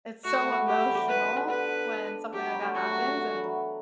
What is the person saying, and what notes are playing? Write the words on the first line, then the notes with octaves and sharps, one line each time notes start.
it's so emotional when something like that happens and,
A3 F#4
B3
B3
B3 G4
G3
E3
F#3
D4 B4
C4
B3
D3
B4
F#3 G4
G3
F#3
A3
G3 F#4
F#3
D3
E3
F#3